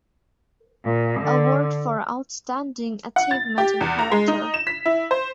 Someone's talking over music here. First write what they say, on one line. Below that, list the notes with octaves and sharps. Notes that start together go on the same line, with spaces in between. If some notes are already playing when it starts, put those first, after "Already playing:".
Award for Outstanding Achievement in Character.
A#2
D3
F#5
A6
G4
E2
A#5
G#3
D#4
E7
B6
E4
C5